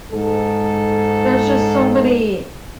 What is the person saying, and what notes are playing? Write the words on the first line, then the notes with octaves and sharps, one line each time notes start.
there's just so many
G#2 A4